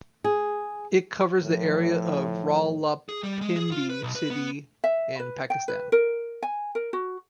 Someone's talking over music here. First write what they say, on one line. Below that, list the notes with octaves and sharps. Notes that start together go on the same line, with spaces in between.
It covers the area of Rawalpindi City in Pakistan.
G#4
A2 F3
G#4
G3
G#3
G#4
F4
B4
B1
B4
B3
E5
B4
G5
B4
A#4
G#5
A#4
F#4